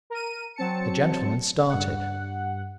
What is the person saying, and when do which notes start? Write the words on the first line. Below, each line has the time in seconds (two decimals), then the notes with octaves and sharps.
The gentleman started.
0.10 A#4 D#7
0.56 F#3 C4 A5 C#7
1.69 G2 F#5